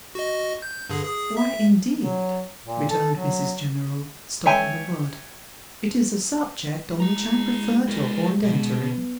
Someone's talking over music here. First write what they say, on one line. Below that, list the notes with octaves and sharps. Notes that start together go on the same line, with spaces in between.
'Why, indeed,' returned Mrs General, stopping the word, 'it is a subject on which I prefer to avoid entering.
F#4 D#5
G6
G2 D3 G#4
G#4 D#6
E5
F#3
A#2
A4
F#3
C#5 E5 G5 G#5
G#3 E4 A#5
E4 A#4
B2
B3